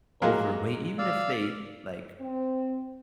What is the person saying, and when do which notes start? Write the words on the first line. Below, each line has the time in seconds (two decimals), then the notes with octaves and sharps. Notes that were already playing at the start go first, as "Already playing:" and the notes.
overweight even if they, like,
0.22 F#3 G#3 A#3
0.98 D5 F5 E6
2.20 C4